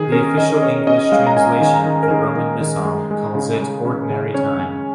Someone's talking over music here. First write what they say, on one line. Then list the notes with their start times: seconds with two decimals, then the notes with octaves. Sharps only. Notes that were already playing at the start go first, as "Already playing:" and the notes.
The official English translation of the Roman Missal calls it Ordinary Time.
Already playing: D#3 G#4
0.12 C#4 A#4
0.37 D#3 D#5
0.62 C#4 C#5
0.87 C#4 D#5
1.12 G#3 F5
1.27 A#5
1.37 C#4 G#5
1.61 D#3
1.74 A#5
1.86 D#3
2.03 A#4
2.11 D#3 G#4
2.36 D#3
2.60 D#3
2.85 G#3
3.11 G#3
3.35 C#3
3.60 G#3
3.85 C#4
4.10 C#3
4.34 C#4 C#5
4.59 C#4